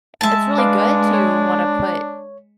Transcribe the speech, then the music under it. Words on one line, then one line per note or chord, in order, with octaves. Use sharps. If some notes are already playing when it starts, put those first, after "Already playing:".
it's really good to wanna put
G#3 E5 A5
D4 B4 F5 D6
C#5